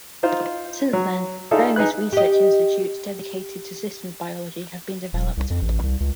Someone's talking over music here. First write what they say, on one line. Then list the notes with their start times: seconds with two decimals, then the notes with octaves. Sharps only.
Since then, various research institutes dedicated to systems biology have been developed.
0.23 D#4 F4 C5
0.93 F#3
1.51 D#4 F4 G#4 A4 D5 E5
1.76 D#4 G#4 B4 F#6
2.13 G4 D#5
5.13 D#1
5.37 C2
5.50 F2
5.62 A1
5.83 C2
6.00 C#2